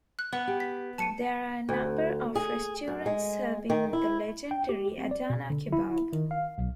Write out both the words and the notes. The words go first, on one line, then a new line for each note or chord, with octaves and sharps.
There are a number of restaurants serving the legendary Adana kebab.
F#6
B3 B4 F#5 F#6
G4 F#5
B6
F#3 A3 A5 C#7 D#7
D2
G#4
F#2
G#3
D#3
E4
G5
G4
C4
D5
B2
D3
E4
D#3
F5
B1